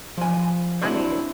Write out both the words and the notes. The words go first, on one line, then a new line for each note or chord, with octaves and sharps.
I mean,
F3 G#5
C4 D4 E4 F#4 C5 C#5